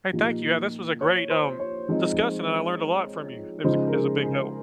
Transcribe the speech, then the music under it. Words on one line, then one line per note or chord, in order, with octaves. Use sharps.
Hey, thank you, yeah, this was a great, um, discussion, and I learned a lot from you. It was a g it was a big help.
A#2 F3 A#3 D#4 G4
C#5
C5
C#5
F3 G#3 C4 D#4
C#3 F3 G#3 D#4 C5
A#4
G#4
G#4